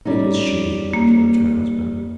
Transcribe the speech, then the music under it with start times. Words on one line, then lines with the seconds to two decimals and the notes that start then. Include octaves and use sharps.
"It is she," observed her husband.
0.05 G3 C#4 D#4
0.93 A#3